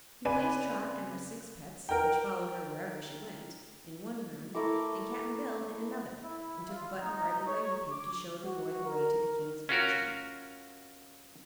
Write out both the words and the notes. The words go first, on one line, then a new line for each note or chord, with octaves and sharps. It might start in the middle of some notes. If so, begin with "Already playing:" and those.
He placed Trot and her six pets--which followed her wherever she went--in one room, and Cap'n Bill in another, and took Button-Bright away with him to show the boy the way to the King's bedchamber.
C#3 C4 B4 D5 G#5 D#7
A#4 G5
A3 E4 A#4 D6
E4
F4
D#4
C#5
D6
F#4
A#4
C#4 F4 F#4 A#4